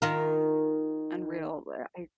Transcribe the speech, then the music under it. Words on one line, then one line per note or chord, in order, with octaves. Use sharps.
unreal, where I
D#3 F4 A#4